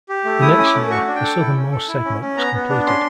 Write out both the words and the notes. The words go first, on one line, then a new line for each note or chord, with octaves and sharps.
The next year, the southern-most segment was completed.
G4
A3
E4 D#6
C#4 D#6
D6
A3
F#4 C#6
D4
G5
A4
E4
C#4
A4
E4
C#4
C#4
B3 A#5
B3
D4
C#4 C6